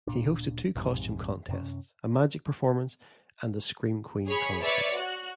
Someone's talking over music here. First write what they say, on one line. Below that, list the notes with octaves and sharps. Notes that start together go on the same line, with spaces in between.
He hosted two costume contests, a magic performance, and a scream queen contest.
D1 A#2 D4
A#1 F2 G#2 C3
F#2 C3 C#4
G#4 C#5 B5
B4 C#5 D5 E5
F#4 F#6